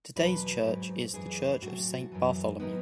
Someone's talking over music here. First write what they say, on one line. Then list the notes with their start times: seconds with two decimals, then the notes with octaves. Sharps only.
Today's church is the Church of Saint Bartholomew.
0.16 E2 B2 F#3 B4
0.64 G#2 F#3
1.13 F#2 E3 G#4
1.62 A2 F#3 F#4
2.12 F#2 E3
2.60 D#3 F#3 B3